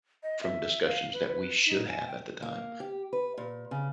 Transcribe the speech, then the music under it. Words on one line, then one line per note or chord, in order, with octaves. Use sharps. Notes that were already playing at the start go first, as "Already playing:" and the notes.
from discussions that we should have at the time
D#5
E5
F5
B4
D#4
G#5
G5
A#3
G4
B4
A#2
C#3